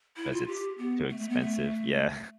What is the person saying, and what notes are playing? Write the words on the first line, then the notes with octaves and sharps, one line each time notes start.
'cause it's too expensive. Yeah.
E4
F4
G4
B3
A3
A3
B3
A3